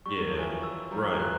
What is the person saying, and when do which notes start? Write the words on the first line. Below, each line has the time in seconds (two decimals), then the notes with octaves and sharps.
Yeah, right.
0.06 G3 C#6
0.17 F#3
0.28 F3
0.35 E3 F#3 C#6
0.63 E6
0.91 F3 G3 A#5
1.12 E3 F#3
1.20 F#6